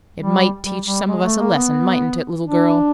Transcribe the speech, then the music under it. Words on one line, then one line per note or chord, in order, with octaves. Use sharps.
"It might teach some of us a lesson, mightn't it, little girl?"
G3
G3
G3
G#3
A3
A#3
B3
D4